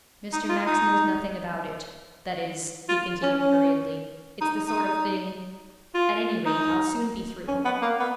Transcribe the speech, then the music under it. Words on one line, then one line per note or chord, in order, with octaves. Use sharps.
'Mr. Max knows nothing about it--that is,' he continued hurriedly, 'it's the sort of thing-- At any rate, I'll soon be through.'
D#4
F4
D#4
F4
C#4
C#4
D#4
D#4
F4
D#4
C#4
B3
A#3
B3